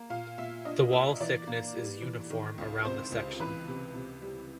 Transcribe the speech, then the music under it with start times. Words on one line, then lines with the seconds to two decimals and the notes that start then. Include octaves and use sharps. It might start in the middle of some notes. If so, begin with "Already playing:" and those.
The wall thickness is uniform around the section.
Already playing: A#3
0.10 A#2 F5
0.38 A#2 E5
0.65 D4 D#5
0.93 A#3 E5
1.20 E3 D5
1.47 A#3
1.75 G3
2.02 E3
2.30 D#3
2.58 C#2
2.85 C3 C5
3.12 C#2
3.40 E3 B4
3.67 C3
3.95 C3
4.22 G3